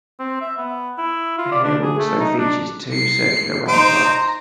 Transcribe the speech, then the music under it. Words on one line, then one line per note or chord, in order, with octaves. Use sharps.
The hill also features two circular ramparts.
C4
E5
B3
E4
F4
D5
D4
G#4
A3
D#4
D4
C7 C#7
D#4 C5 D7
A#5